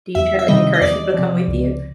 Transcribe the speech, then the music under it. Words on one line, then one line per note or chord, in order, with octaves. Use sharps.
do you try to, like, encourage people to come with you?
E2 E5
E5
C3 D#3 G3 D#5
D#5
E2 D5
C3 F3
C#2